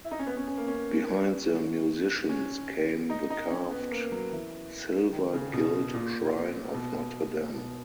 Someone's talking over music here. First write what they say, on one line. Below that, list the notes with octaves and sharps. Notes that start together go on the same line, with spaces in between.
Behind the musicians came the carved silver-gilt shrine of Notre Dame.
E4
D#4
C#4
B3
C#4
C#4
A#3
C#4
C#4
D#4
D#4
C#4
B3
A#3
F#3
E3
D#3
C#3
B2
A#2
B2
B2